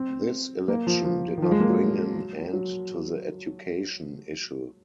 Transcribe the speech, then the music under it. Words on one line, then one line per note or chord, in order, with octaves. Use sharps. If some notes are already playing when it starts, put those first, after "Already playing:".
This election did not bring an end to the education issue.
Already playing: C4
A#3
F3
F3
D#3
F3
G#3
A#3
F#3
F#3